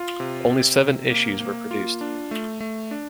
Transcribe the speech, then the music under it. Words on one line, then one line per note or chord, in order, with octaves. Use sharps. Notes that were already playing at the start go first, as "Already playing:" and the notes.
Only seven issues were produced.
Already playing: F4
C3
C3
C3
A#3
A#3
F4
D4
A3
A3
D4